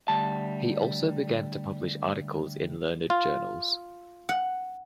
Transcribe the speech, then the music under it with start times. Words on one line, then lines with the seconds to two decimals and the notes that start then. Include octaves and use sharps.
He also began to publish articles in learned journals.
0.08 D2 G3 A5
3.10 F4
4.29 F#5